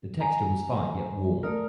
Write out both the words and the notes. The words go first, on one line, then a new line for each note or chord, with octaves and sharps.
The texture was fine yet warm.
G#5 A#5
A3 A#4 D5 D#6